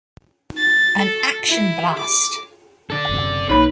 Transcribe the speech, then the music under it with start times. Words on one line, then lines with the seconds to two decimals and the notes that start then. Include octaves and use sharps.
An Action Blast!
0.57 A6
0.99 A4
1.48 E4
1.99 D6
2.90 A4 D5
3.09 F#1 F#2 C3
3.49 B1 D#3 A#3 D#4 B4 C#5 B5